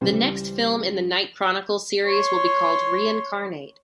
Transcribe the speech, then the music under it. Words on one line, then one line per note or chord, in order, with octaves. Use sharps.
The next film in the Night Chronicles series will be called "Reincarnate".
C#2 E3 G3 C5
C#5 C6